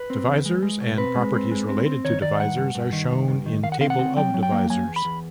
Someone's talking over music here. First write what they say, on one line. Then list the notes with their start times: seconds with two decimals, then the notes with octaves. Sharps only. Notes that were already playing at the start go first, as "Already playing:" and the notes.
Divisors and properties related to divisors are shown in table of divisors.
Already playing: B4
0.10 C4
0.27 E2
0.46 G#3
0.62 G#3
0.81 B2
0.98 C4 B4
1.16 G#3
1.34 C4
1.51 G#3
1.69 C4
1.86 C4
2.05 D#3 C#5
2.22 D#3 D5
2.40 G2 F#5
2.57 G2
2.75 G2
2.93 D#3
3.11 G2
3.28 G2
3.46 D#3
3.63 D#3 F5
3.72 F#5
3.81 C4 F5
3.90 F#5
3.99 C4
4.17 F#3 G5
4.34 F#3
4.43 G5
4.52 A#3
4.70 F#3 G#5
4.87 E2
4.96 B5
5.05 E2